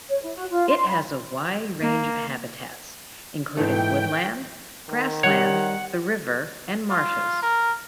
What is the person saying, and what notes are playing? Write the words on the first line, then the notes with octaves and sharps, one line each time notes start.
It has a wide range of habitats, including woodland, grassland, the river and marshes.
C#5
E4
F#4
F4
C6
B5
A#3
G#2 E3 A3 G5
D#3
G3 C#5 F#5
F4
A#4